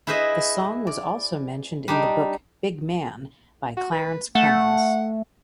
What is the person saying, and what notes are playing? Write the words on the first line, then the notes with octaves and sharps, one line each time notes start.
The song was also mentioned in the book "Big Man" by Clarence Clemons.
E4 G#4 B4 C5 D#5
D5
G3 D4 D#4
F#4
B4
A3 F#5